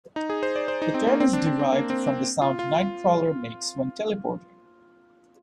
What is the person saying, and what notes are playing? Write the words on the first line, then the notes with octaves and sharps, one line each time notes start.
The term is derived from the sound Nightcrawler makes when teleporting.
D#4
G#4
C5
D5
C5
D#4
C4
A#3
C4
D4
C4
C4
A#3
C4
C4
F4
F4